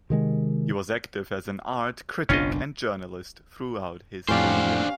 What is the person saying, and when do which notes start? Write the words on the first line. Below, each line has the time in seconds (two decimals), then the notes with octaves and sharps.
He was active as an art critic and journalist throughout his career.
0.10 C3 D#3 G#3
2.29 F#1 B1 C#4 D4 F4 D#5
4.28 F2 A2 C#4 D4 G4 C5 D5 F5